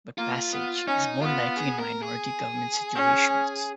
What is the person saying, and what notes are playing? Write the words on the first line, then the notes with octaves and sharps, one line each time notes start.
But passage is more likely in minority government situations.
A#3 F4
B3
C#4 D#4
B3 F4
G#4
A#4
G#4
C#4